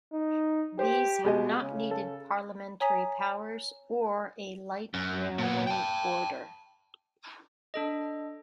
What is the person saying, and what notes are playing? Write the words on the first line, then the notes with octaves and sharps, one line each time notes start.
These have not needed parliamentary powers or a light railway order.
D#4
G4 C5
B2 G#3 G4 D#5
C#3
A4
C#5 G#5 A#5 D#6 B6
F#2
A#2 B3
G5 A5
D4 A4 D#5